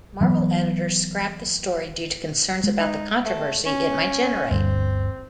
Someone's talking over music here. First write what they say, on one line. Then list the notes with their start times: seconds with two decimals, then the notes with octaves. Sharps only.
Marvel editors scrapped the story due to concerns about the controversy it might generate.
0.21 E3 F#3 B3
2.64 G#3
2.79 D#4
3.25 A3
3.66 C#4
4.51 G1 D2 G2 C4